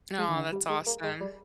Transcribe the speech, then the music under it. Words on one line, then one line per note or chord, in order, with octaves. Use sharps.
Aw, that's awesome.
G#3
D#3
D3
G3
G#3
A#3
G#3
G3